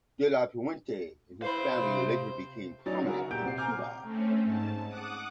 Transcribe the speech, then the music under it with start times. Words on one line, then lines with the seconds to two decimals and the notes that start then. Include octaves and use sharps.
De la Puente and his family later became prominent in Cuba.
1.42 E4 C5 F5 B5
1.73 C3
2.86 F#3 C#4 D#4 D5 A6
3.04 C#3 E4 F#4 G#4 A#4
3.18 F#5
3.31 A#2 G4 A#5 G6 D7
3.44 C3 C4 F#5 C7
3.58 G#5 A#5 D6 F6 G6
4.02 A3 C4 C#4
4.44 G#2 A5
4.89 F#5 D6 D#6 F#6